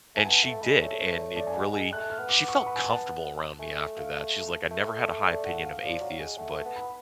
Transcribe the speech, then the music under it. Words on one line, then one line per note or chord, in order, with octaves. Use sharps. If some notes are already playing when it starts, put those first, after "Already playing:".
and she did, and it really she felt comfortable around me after that, she's like, "I never had a high opinion of atheists, but,
A3 G#5
B3 A5
A3 A5
G#3 B5
A3 C#5
B4
C#5
A3 D5
G#5
G#3 F#5
G#3 G#5
A3 F#6
F6
B3
D6
C#6
B5
G#5
A5
A3 G#5
F5
A3
D5
F#5
F5
F3 D5
F#3 F5
G#3 F#5
A3 F#5
A5
B3
B5